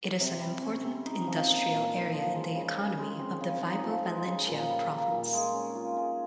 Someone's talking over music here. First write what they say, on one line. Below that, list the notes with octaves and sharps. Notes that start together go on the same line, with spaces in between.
It is an important industrial area in the economy of the Vibo Valentia province.
C3
G3
C#4
C3
D#4
F3
A#3
A#2
D#4
F3
G#3
C#3
C#3
G#3
C4
C#3
D#4
F3
G#3
C#3
A#2
G3
A#3
A#2
G#3
C#4
F4
G#3